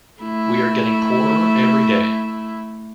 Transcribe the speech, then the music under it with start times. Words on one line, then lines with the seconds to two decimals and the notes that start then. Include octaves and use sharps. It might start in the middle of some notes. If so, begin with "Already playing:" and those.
We are getting poorer every day.
0.21 A3 E4